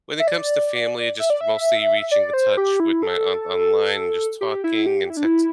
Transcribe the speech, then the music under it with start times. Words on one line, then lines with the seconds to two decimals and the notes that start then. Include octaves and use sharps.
When it comes to family, just mostly reaching to touch with my aunt online, and just talking and text
0.20 E5
0.27 D5
1.19 E5
1.30 D5
1.41 E5
2.11 D5
2.33 C5
2.57 G4
2.80 E4
3.03 A4
4.41 G4
4.64 E4
4.86 G4
5.10 E4
5.17 D4
5.24 E4